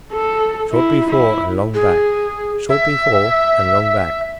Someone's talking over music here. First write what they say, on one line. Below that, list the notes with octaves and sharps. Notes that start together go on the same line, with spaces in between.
"Short before, and long back, Short before, and long back."
A4
E4
E4
G#4
E5